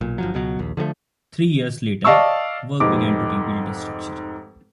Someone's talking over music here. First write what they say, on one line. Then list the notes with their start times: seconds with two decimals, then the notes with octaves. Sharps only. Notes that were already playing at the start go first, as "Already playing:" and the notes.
Three years later, work began to rebuild the structure.
0.01 B1 A#2
0.18 G1 F3 F#3
0.34 C#2 B2 F#3
0.59 A#1 D#2
0.77 D3 F3 G3 A3
2.05 D5 D#5 F5 A5 C#6 E6
2.80 F1 G#2 D6